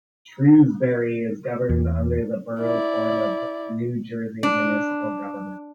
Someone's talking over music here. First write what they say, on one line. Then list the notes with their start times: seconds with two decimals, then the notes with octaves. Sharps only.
Shrewsbury is governed under the Borough form of New Jersey municipal government.
1.69 E2
2.61 E4 D5
4.43 D4